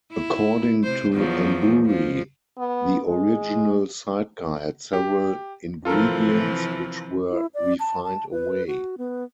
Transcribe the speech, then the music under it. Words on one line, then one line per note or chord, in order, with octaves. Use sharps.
According to Embury, the original sidecar had several ingredients, which were "refined away".
E4
C3 C5
E2 F3 F#3
F2 F3
B3
G#3
G4
C3 E3 F3 F4 A4 A#4
E4
D5
A5
A5
B4
F#4
B3